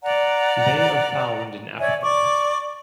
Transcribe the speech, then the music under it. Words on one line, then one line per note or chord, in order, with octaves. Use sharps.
They are found in Africa.
D5 F#5 A#5
C#5 D5 E5 G#5
D5 C#6 D6